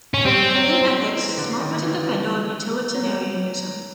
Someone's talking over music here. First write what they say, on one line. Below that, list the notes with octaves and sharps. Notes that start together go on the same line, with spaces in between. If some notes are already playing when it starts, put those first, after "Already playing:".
In ethics, Smart was a defender of utilitarianism.
C#4
G3 C4
F#3
E3
D3
D#3
E3
F#3